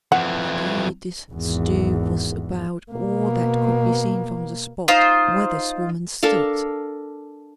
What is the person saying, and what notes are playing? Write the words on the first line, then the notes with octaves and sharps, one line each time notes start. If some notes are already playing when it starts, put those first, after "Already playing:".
Indeed, this stoop was about all that could be seen from the spot where this woman stood.
F2 E3 F#5
G#1 E2
B2 A#3
D#4 F4 C5
D4 A4 A#4 F5